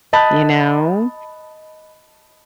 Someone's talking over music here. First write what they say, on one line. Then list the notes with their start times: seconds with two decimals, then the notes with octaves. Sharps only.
You know?
0.13 D#5 A5 B5 F#6 G6